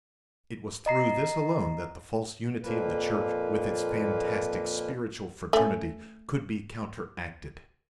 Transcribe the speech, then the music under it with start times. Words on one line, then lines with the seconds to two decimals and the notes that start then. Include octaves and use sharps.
It was through this alone that the false unity of the Church with its fantastic spiritual fraternity could be counteracted.
0.86 D#5 A#5 C7
2.62 F2 A#2 F3 A#3 B4
5.53 A3 C#4